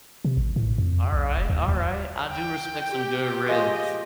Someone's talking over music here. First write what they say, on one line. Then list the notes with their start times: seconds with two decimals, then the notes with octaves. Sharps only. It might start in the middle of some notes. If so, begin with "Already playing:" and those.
Alright, alright, I do respect some good ribs.
0.25 C3
0.37 A1
0.56 A2
0.78 F2
1.13 B1
1.37 F1
1.50 D#2
1.68 D#2
2.30 G5
2.88 G4
3.46 F3 G#3 D#5 C#6